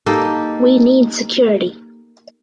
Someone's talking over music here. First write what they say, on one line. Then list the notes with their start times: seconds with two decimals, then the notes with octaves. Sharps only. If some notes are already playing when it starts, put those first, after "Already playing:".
We need security.
0.06 A#3 D#4 G4 A4